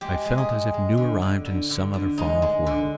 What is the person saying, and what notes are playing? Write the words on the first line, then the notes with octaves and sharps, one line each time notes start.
I felt as if new-arrived in some other far-off world.
G#3 G4
G#3
G#4
G#3
G#3
D3
D3
D3
D3
D3
G#3 D#4
G#3
D3